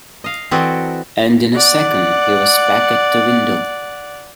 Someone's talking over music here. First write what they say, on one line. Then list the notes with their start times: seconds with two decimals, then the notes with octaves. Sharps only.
And in a second he was back at the window.
0.24 D#5 F5
0.51 E3 C4 F#4 A4 D5 D#5
1.55 D5 F#5